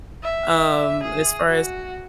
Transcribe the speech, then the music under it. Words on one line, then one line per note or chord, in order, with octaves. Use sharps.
um, as far as
E5
G#4
F#4